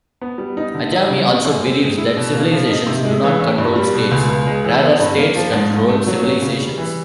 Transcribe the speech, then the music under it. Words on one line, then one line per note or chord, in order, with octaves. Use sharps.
Ajami also believes that civilizations do not control states; rather, states control civilizations.
B3
G3
D#4
D3
F#3
C#3
B3
F#2
C4
G#3
E4
B2
A#3
F3
D#4
C3
G#3
E3
C#4
G2
G3
B2
C#2
C#2
G#3
E3
B3
G2
A#3
F3
G#2
G#2
A3
F#3
C#4
C#3
G3
E3